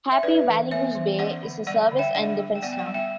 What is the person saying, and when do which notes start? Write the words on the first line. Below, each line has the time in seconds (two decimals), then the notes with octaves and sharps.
Happy Valley-Goose Bay is a service and defence town.
0.12 E5
0.23 D4 B4 D5
0.48 E3
0.71 B3 C#5 E5
0.95 E3
1.19 C#4 D5 F#5
1.43 D3
1.67 G3 D5 F#5
1.91 D3
1.99 E5 G5
2.15 D4 D5 F#5
2.39 G3
2.55 G5
2.62 B3 D5 F#5
2.73 G5
2.79 D5 F#5
2.86 G3
2.94 E5 G5